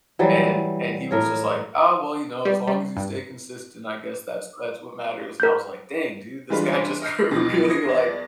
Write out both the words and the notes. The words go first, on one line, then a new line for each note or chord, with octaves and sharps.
and and he was just like, "Oh well, you know, as long as you stay consistent, I guess that's that's what matters," and I was like, "Dang, dude, this guy just really like"
E3 F#3 G3
A2 A#4 C#5
G3
G3
G2
A#4 G6
D3 E3 G3 G#3 F4 B4
D#5 F6 G6 C7
D#2 B2 A#6
D#6 G#6 A#6 C7
E2 D5